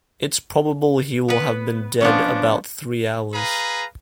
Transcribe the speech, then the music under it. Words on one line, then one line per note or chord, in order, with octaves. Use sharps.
It's probable he will have been dead about three hours.
B3 B4
F3 B3 C#4 D4
G#4 B4 F5 A#5